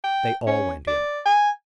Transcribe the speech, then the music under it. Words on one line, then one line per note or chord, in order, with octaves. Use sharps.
They all went in.
G5
C#4
D5
G#5